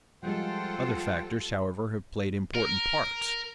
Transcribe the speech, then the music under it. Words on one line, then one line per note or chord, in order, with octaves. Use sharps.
Other factors, however, have played important parts.
F3 G3 G#3 F4 A4 C5 F#5 G5
A#4